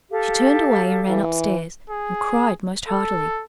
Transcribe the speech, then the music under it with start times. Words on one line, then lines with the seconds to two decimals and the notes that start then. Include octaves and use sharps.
She turned away, and ran up-stairs, and cried most heartily.
0.10 G4 A4 F5
1.08 E3
1.90 G#4
2.88 A4